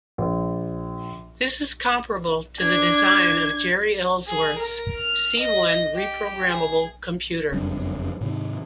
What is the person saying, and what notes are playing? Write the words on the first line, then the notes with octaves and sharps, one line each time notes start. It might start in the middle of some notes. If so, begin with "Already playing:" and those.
This is comparable to the design of Jeri Ellsworth's C-One reprogrammable computer.
A#1
D4 G#6
G#4
A#4
F6
D#5
G4
G#4
F#1 F2 G3 D4
G#2 C3 D#3